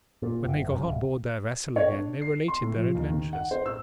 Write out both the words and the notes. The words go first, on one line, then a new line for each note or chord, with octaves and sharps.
When they got on board their vessel again they related their adventures.
A#2
F#1
F#2
D1
C#5
D4
C7
C6
A2
F3
D#2
D#3
F#5
C5
E6